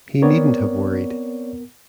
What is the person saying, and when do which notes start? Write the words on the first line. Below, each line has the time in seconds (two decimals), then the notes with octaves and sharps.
He needn't have worried.
0.22 B3 C4 A#4 C#5 D5